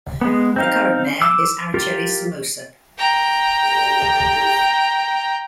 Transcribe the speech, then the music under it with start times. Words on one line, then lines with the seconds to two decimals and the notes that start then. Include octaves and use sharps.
The current mayor is Araceli Somosa.
0.21 G#3 B3
0.56 C4 D#4 F5
1.22 D6 E6
1.74 F4 G4 A#4
2.98 G5 A#5